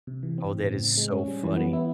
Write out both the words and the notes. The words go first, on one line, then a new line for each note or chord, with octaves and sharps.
Oh, that is so funny.
C3
E3
C4
A2
C#3
C4
G#3
C#4
G3
E3
B3
E4